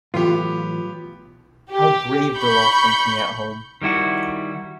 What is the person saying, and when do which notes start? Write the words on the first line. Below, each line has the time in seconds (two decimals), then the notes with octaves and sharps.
How brave they’ll all think me at home!
0.14 A2 E3 F#3 B3 F4 G4
1.71 G4
2.36 B5 C#6 G6
3.82 D#3 G3 E4 F#4